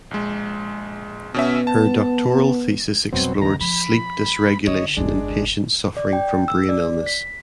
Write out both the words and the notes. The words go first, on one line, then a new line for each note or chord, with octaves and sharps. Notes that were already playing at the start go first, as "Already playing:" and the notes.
Her doctoral thesis explored sleep dysregulation in patients suffering from brain illness.
A#1 G#3
B2 B3 C#4 E5
A5
C2 F2 B2 F#3 C4
D#2 C#3 A#5
F3 B5
D3 C#5 D#5
G1 D#2 G#3 D4
D5
G5
E6
D5
B6